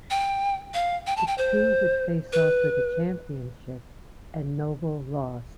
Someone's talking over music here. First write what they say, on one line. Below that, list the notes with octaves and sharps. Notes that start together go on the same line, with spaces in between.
The two would face off for the Championship and Noble lost.
G5
F5
G5
A5
G5
C5
B4